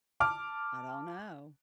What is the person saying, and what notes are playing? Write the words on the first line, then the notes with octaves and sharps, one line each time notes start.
I don't know.
A5 D6 F6